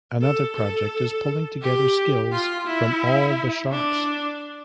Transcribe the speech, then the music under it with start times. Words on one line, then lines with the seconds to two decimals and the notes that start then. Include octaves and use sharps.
Another project is pulling together skills from all the shops.
0.21 A4
0.56 A4
1.61 G4
2.32 F4
2.67 E4
3.71 D4